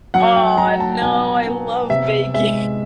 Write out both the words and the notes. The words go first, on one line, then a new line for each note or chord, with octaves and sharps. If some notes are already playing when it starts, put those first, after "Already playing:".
Aw, no, I love baking.
F#3 F#5
G5
F#3 A#5
A5
B2 G#5
B3
C3 E5
G#3 E5